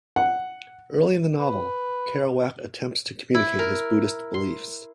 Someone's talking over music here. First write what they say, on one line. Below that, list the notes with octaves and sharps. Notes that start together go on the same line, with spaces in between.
Early in the novel, Kerouac attempts to communicate his Buddhist beliefs.
F#5
B4
E4
A#4
C6